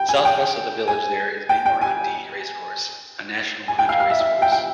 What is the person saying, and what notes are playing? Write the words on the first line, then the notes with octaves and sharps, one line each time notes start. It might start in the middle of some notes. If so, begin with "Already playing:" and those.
South-west of the village there is Bangor-on-Dee racecourse, a National Hunt racecourse.
Already playing: G5
G#5
G5
G#5
G5
G5
G#5
G#5
G5
F5
F5
E5
E5
G5
G5